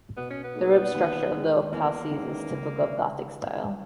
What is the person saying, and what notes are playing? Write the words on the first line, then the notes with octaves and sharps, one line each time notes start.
The ribbed structure of the apses is typical of Gothic style.
B2 B3
C#4
B3
A#3 D#4 G#4
D#2
D#3 G#3
E2 A#3
D#3 G#3 C#4
C#2